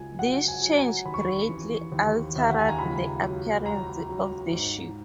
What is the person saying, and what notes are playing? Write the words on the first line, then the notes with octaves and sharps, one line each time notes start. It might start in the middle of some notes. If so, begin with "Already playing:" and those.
This change greatly altered the appearance of the ship.
Already playing: C#2 F#3 G#5
F#3 F#5
G#5
F#3
A#5
D#2 B5
C#6
B5
E3
D#2
D#2 E5
F#5
G#5
A#5
C#2 B5
F#3
F#3 A#5
F#3
G#2